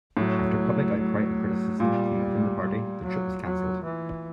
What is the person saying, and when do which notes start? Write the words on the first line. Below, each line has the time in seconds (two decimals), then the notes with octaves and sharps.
After public outcry, and criticism from within the party, the trip was cancelled.
0.17 A2 F#3
0.99 F#3
1.80 A#2 G3
2.62 G3
3.03 F#3
3.44 F#3
3.84 E3